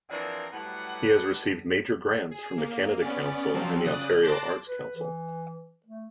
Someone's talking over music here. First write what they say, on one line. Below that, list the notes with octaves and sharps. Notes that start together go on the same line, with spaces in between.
He has received major grants from the Canada Council and the Ontario Arts Council.
E3 F3 C4 D4 G#4 A#4
A2 F#3 G3 B3 F#5
G#4
A#3
B3 C#4 D5
F3 F#3 C4 F4
C#3 D5 D#6 F#6
A5 C6 D6 F#6 A6 A#6
B4
E3
A3